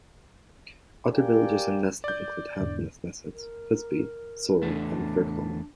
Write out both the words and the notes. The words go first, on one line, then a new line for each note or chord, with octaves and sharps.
Other villages in Nesna include Handnesneset, Husby, Saura, and Vikholmen.
G4 A#4 D5 F5 G5 G#5
D5 G6
E2 G#2 D3
A#4
E2 A3 D4